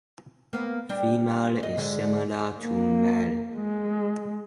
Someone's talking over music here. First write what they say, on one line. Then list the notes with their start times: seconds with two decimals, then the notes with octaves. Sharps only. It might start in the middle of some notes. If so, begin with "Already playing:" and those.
Female is similar to male.
0.53 A#3 B3
0.89 G3 D4
1.63 D#5
1.78 G#2 D3 G#3
2.62 A#3
3.56 G#3